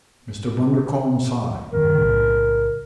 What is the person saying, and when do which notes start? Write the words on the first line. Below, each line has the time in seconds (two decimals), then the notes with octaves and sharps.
Mr. Bundercombe sighed.
1.73 D#1 F#2 D#3 A#4
1.95 B1 A2 C#3